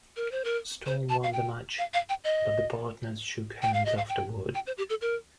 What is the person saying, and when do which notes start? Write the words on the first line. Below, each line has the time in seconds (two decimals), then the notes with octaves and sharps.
Storm won the match, but the partners shook hands afterward.
0.16 A#4
0.32 C5
0.45 A#4
0.86 C5
1.09 A5
1.23 F5
1.33 G5
1.78 F5
1.94 F5
2.09 G5
2.24 D#5
3.62 G5
3.74 F5
3.85 D#5
3.97 F5
4.09 G5
4.55 G5
4.67 C5
4.78 G4
4.90 A4
5.01 A#4